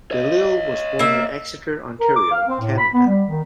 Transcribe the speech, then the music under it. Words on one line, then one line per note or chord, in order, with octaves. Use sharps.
De Lisle was born in Exeter, Ontario, Canada.
C#5 D#5
A#3 E5
A#4
D6
F5
C4
A2
B5
B3
G3
D#3